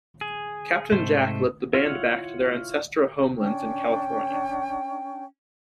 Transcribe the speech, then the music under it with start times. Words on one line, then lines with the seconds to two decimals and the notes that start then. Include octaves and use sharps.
Captain Jack led the band back to their ancestral homelands in California.
0.21 G#4
0.92 G#2 C3 A3 C5
1.73 E4 F4 C#5 F5 F#5
3.38 C#4 D4 G5